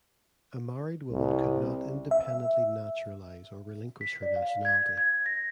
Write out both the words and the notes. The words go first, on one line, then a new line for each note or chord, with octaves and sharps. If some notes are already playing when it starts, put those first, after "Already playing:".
A married woman could not independently naturalize or relinquish her nationality.
C2
E5
B6
D5
F5
G#6
G#6
A#6